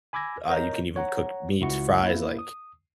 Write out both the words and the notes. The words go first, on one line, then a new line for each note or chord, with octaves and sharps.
uh, you can even cook meat, fries, like
G#5 B5 D6 E6 G#6 A#6
A#4 C#5 D#5 A#5 G6
C#5 F#5 A#5
C#2 E4 F#4 C#7
A#3 E4
D#6